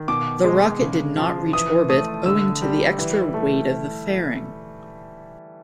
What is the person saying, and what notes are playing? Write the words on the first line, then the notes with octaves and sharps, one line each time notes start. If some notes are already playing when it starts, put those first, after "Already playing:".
The rocket did not reach orbit, owing to the extra weight of the fairing.
Already playing: D#3
B2 D6
G#3
C#3
F3
E3 D#6
A3 D#6
D3 E6
G3
E3
A3